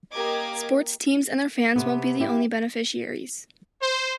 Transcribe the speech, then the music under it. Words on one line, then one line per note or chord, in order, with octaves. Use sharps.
Sports teams and their fans won't be the only beneficiaries.
A#3 G4 A#4 D#5 D6 G#6
C3 B3
E4 G4
C5